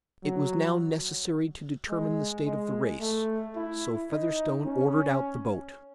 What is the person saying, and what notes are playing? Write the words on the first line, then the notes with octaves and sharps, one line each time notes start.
It was now necessary to determine the state of the race, so Featherstone ordered out the boat.
F#3
G#3
G#3
A3
E4
D#4
C#4